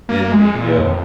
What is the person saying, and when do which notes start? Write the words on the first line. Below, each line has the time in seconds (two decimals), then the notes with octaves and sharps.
in the, uh,
0.09 A#3
0.32 G#3
0.55 A#2
0.79 F2